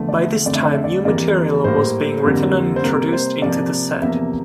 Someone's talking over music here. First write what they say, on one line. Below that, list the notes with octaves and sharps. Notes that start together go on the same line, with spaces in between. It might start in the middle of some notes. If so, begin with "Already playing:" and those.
By this time new material was being written and introduced into the set.
Already playing: E2 D3 F3 A3
D5
E5
F2 D3 F3 A3 D5
E5
D5
E5
D5
F2 E3 G3 A#3 D5
A2 G3 A#3 C5
F2 D3 G3 A#3
C5
C3 G3 A#3 A#4
C5
C3 F3 A#3 D5
E2 C3 F3 A#3 E5